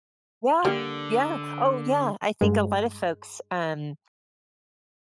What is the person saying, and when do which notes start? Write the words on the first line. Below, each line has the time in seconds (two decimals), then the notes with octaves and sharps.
Yeah. Yeah. Oh, yeah, I think a lot of folks, um,
0.65 D3 G3 A#3
2.41 G2 G#3